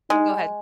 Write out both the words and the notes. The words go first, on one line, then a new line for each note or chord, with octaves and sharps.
Oh, go ahead.
G#3 D#4